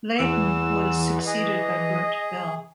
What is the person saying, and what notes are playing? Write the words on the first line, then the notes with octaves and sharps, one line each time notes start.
Layden was succeeded by Bert Bell.
E2 E3 E6
G#4 D#5